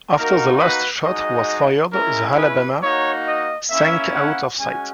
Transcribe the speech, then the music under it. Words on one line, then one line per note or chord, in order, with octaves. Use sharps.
After the last shot was fired the "Alabama" sank out of sight.
A#3 D#4 F#4 A#4
B4
G#3 D#4 F#4 D#5
G#3 C#4 E4 A#4
B4
A#3 D#4 F#4 C#5
D#5
A#3 C#4 E4 E5
F#5
G#3 C#4 F#4 G#5